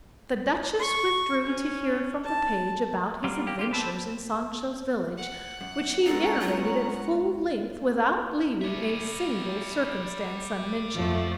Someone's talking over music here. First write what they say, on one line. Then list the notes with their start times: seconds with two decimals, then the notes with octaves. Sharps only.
The duchess withdrew to hear from the page about his adventures in Sancho's village, which he narrated at full length without leaving a single circumstance unmentioned.
0.79 C#6
1.46 C#4
2.23 A5
3.24 F#3 G3 F4
3.47 A#3 G4
3.59 F4 G4
3.71 C4 A4 B4 C5 A5
5.17 F#5
5.61 F#2
6.06 G#3 B3 C#4 D4 A4 A#5
6.40 F4
8.61 G3 E5
10.95 F2 F3 A3